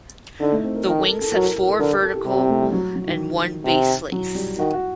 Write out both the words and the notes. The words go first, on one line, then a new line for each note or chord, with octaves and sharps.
The wings had four vertical and one base lace.
D3 D#4
A3
C4
A#4
D#3 A#4
A4
A4
A4
F#3 A#4
A#4
A#4
A4
D3 A#4
A#4
A4
G4
C3
C4
A3
G3
F#3
F#3
D#3
C3
F#3
G3
D#3 F#4
F#4